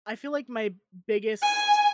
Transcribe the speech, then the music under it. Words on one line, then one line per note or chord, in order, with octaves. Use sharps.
I feel like my biggest
G#5